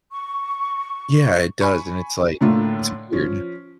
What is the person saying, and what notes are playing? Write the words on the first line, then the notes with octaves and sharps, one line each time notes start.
Yeah. It does. And it's, like, it's weird.
C#6
G#5 B5 C#6
A2 D3 A3 A#3 F4
F3 C#4